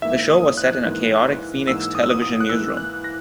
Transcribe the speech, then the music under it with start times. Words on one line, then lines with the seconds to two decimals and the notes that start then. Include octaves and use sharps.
The show was set in a chaotic Phoenix television newsroom.
0.02 G#2 E3 A#3 E5
0.30 D#6
0.57 F#6
0.85 G#2 E3 A#3
1.67 G#2 E3 A#3 E6
1.95 D#6
2.03 E6
2.11 D#6
2.22 D#6
2.41 F#6
2.50 G#2 E3 A#3 E6
2.77 F#6
3.04 A#6